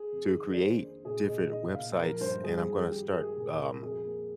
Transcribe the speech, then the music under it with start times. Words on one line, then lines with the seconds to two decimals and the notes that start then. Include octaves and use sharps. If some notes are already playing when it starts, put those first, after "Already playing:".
to create different websites, and I’m gonna start, um,
Already playing: G#4
0.12 F2
0.35 D#3
0.53 D5
0.59 A#3 C5
0.81 D4
1.05 A#2 G#4
1.28 A#2 D#5
1.51 D#4 D#5
1.75 A#2 F5
1.97 F3 A#4
2.14 A#4
2.20 G2 C5
2.44 G3 G#4
2.67 D#3
2.90 G2 G4
3.07 A#4
3.13 G#3 G#4
3.36 A#2 A#4
3.59 A#2 A#4
3.82 F2 G#4
4.05 A#3